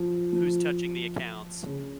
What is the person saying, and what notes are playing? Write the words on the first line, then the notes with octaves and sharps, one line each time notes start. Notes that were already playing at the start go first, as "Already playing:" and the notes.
Who's touching the accounts?
Already playing: F3
F3
C#3